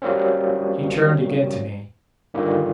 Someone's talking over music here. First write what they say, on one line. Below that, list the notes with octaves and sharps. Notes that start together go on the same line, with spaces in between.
He turned again to me.
F#3 G3 A#3 C4 C#4
G2 A#2 D3 D#3 A#3